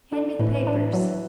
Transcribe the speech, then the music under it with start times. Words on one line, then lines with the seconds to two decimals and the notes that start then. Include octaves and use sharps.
Hand me the papers.'
0.12 D3 D4
0.26 D3
0.39 A2 E3
0.54 E3
0.67 D4
0.93 F#3